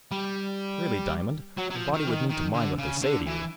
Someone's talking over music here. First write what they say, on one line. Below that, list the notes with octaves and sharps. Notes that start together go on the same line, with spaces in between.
"Really, Diamond, a body would need to mind what they say to you."
G3
F#3
F#3
F3
D#3
E3
D#3
D#3
D3
C#3
D3
E3